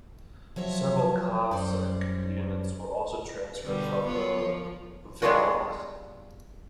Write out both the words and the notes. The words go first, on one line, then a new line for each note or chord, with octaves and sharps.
Several Cossack units were also transferred from the Wehrmacht.
F3 F#3 C#5 E5
F#2 G3 C5 D5
B2 D3 G3
B3 F4 C#5
F3
G3 G#3 B3 D4 F4 F#4